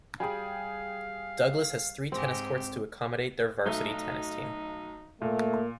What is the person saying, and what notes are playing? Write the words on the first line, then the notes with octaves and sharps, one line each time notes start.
Douglass has three tennis courts to accommodate their varsity tennis team.
G3 G#4 F5 G5 G#5
G#2 G#3 C4 G4
B1 A3 D#4 G7
A#2 A3 A#3